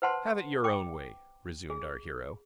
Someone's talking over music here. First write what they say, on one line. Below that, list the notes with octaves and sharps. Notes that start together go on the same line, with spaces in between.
"Have it your own way," resumed our hero.
B4 C5 F#5 A5 C6
G5 D6
G#4